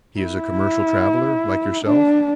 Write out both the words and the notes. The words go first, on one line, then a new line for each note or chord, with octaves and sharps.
"He is a commercial traveler like yourself?"
E4
D4